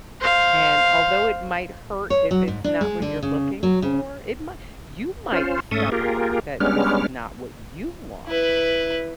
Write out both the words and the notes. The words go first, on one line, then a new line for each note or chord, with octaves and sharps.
And although it might hurt if it's not what you're looking for, it might you might discover that this is not what you want.
C5 F5
C#5
F#3
G#2
D4
G#3
D3
C#3
F#3
C#3
C#4 F4 C5
G#2 A3 C#4 A4 E5 D#6
A#3 F4 G4 G#4 A#4
G3 G#3 B3 C#4 D4 F6
E4 B4